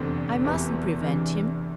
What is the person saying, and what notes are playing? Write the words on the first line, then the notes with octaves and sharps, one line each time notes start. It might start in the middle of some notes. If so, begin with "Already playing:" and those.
I mustn't prevent him.
Already playing: F1 E2 D3 A3 C4
E1 E2 C3 E3 B3
E2 C3 E3 G#3 D4